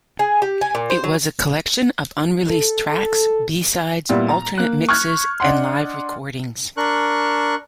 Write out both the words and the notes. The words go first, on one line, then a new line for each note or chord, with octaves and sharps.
It was a collection of unreleased tracks, b-sides, alternate mixes, and live recordings.
G#4
G4
G#5
A#2
C5
F#3
A4
A4
A#2 G3 B3 E4
A#5
A#3 F#6
C#6 F6 F#6 G#6
D4 D#5 F#5 C6
D4 A#4 C#6 F#6